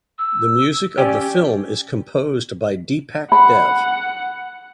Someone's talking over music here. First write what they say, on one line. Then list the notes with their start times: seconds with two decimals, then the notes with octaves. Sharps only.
The music of the film is composed by Deepak Dev.
0.18 E6
0.98 C#4 G4 D5
3.32 F#5 B5